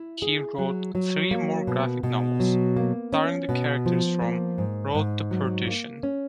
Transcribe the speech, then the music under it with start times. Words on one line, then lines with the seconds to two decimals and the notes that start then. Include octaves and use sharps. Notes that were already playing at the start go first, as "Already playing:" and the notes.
He wrote three more graphic novels starring the characters from "Road to Perdition".
Already playing: E4
0.22 G#4
0.58 F#3
0.95 F#3
1.31 A#3
1.67 B2
2.03 B2
2.40 F#3
2.76 A#3
3.13 C#4
3.49 B2
3.86 F3
4.22 A#3
4.58 G#2
4.95 G#2
5.31 F#3
5.67 A#3
6.03 C#4